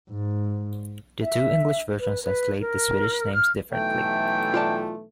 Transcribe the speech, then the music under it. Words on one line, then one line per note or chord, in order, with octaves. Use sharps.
The two English versions translate the Swedish names differently.
G#2
E5
B4
B4
A#4
F6
B1 E3 A3 G5
F4 D5 A5